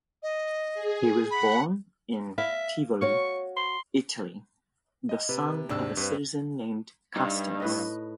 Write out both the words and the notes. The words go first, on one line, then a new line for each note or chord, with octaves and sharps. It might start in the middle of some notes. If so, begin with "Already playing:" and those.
He was born in Tivoli, Italy, the son of a citizen named Castinus.
D#5
G#4
F#5 B5
E5 F5
F#4 C#5 F5 C#6
C6
D#5
C3 B4
D#2 G#2 C3 G#3 D4 E6
G2 C4 B4
G2 D#4
A2 B4 D#5